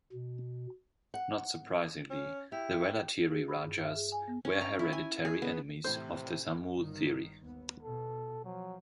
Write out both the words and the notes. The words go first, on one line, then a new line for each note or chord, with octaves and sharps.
Not surprisingly, the Vellatiri rajas were hereditary enemies of the Samoothiri.
B2
F#5
C#4
E4 G4
G#4
B5
G2
E5
G#4
G#5
B3
C#4
A#5
E4
G#5
G#4
B3
A2 C3 E3 C5
G1 D#3
D#2 B3
B2 A4
F3 F#3